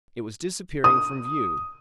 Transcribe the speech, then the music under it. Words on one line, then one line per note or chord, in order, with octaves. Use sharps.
It was disappearing from view.
D#6